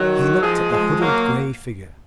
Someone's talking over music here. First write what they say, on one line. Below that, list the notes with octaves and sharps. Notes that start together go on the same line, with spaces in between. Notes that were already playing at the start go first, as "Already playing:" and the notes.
He looked at the huddled grey figure.
Already playing: D#3 F#3
F3 G#3
F3 G#3
F#3 A#3